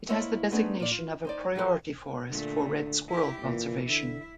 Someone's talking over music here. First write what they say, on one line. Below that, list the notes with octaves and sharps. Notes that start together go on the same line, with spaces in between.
It has the designation of a 'Priority Forest' for Red Squirrel conservation.
A#3 E4 C5 C#5 D#5 E5
A3 B3 C4 D4 D#4 G#4
A#2 D5
F4
D#4 C5 D5
F3 G4 A4 B4 C5
A#2 D3 A3
E4 G4
A#2 E3
D3 E4 E5